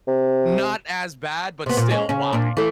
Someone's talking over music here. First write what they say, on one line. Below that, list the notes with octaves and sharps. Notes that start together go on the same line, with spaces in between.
not as bad, but still, why?"
C3
C3 B3
A#2
G#3 C#4
C#3 C#4
A#2 D4
E3 A3